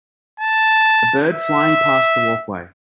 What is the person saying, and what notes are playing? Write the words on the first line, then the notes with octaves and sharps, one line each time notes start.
A bird flying pass the walkway.
A5
E5